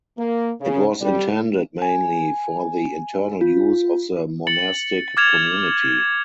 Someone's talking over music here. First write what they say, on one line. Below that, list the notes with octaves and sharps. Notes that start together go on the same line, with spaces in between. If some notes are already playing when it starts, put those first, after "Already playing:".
It was intended mainly for the internal use of the monastic community.
A#3
C#3
G3
G#5
F4
A6 C#7 F#7
D6 F6 G#6 A6 E7 F7